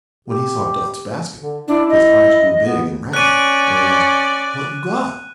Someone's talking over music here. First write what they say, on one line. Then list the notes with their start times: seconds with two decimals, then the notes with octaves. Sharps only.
When he saw Dot's basket his eyes grew big and round, and he asked, "What you got?"
0.28 G4
1.39 D3
1.68 D4 E4
1.89 D#5
2.64 B3
3.13 C#4 D5 F#6 D#7